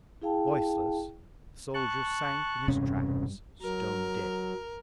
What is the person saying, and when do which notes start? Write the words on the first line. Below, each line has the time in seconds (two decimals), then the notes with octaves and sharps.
Voiceless, the soldier sank in his tracks--stone dead.
0.22 E4 G#4 F5 G5 A5
1.74 A5 C#6 F#6
2.68 E1 G2 C3 C#4
3.62 F#3 A#4